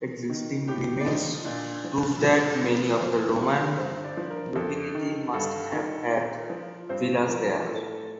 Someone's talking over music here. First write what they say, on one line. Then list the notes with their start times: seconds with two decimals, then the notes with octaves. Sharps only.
Existing remains prove that many of the Roman nobility must have had villas there.
0.29 D#3
0.67 A2 G4 G5
1.01 D5
1.06 F3 D#4 D#5
1.45 A#2 D4 D5
1.84 F3
2.23 G2 C4 C5
2.62 F3
3.00 F2 C4 C5
3.39 C3 F3
3.78 G2 C4 C5
4.04 D4 D5
4.17 F3
4.30 A#4
4.56 F2 A4
4.95 D#3
5.33 G2 A4
5.72 D#3
6.11 A#2 A#4
6.50 F3
6.89 G2 C4 C5
7.27 F3 A#4
7.66 A2 A4